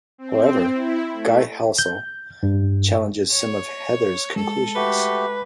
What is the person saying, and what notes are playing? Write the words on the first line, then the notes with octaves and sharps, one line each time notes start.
However, Guy Halsall challenges some of Heather's conclusions.
C4
E4
A3
G6
G2
C#5
G#3 A4
A3 F#4 G4 B4